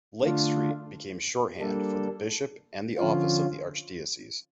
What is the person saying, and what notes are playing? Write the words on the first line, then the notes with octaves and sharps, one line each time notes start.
"Lake Street" became shorthand for the Bishop and the office of the Archdiocese.
D3 A3 D4 F4
G3 A#3 D4 A4
D3 F3 C#4 F4